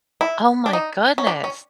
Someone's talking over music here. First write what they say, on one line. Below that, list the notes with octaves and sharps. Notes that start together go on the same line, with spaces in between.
Oh my goodness.
E4
D4
D#4
C#4
D4
C#4